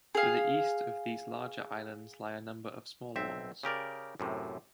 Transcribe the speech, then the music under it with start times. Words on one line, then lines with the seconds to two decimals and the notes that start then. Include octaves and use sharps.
To the east of these larger islands lie a number of smaller ones.
0.15 G#4 F5
3.16 B1 C4 E5
3.63 C#3 G4 A#4 D5
4.20 F#2 A2 C3